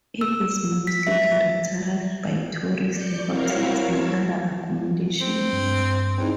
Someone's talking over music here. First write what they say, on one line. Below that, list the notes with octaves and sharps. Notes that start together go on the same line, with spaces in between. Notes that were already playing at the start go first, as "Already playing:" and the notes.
It is mostly characterised by tourist hotels and other accommodation.
E6
B6
E5
D5 G6 C#7
C4 E4 F#4 A#4 C#5 F5
A5 C#6 E6 G#6
C4
G2
E2 C4 D#4